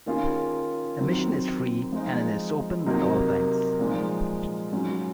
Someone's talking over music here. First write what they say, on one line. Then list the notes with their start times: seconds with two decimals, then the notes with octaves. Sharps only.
Admission is free and it is open at all times.
0.06 D#3 A#3 C#4 F4 G#4
0.99 F#2 D#3 F#3 C4
1.92 F3 G#3 D#4
2.86 C3 F#3 A#3 D#4 A#4
3.79 A#2 F3 G#3 D#4
4.72 G#2 F#3 C#4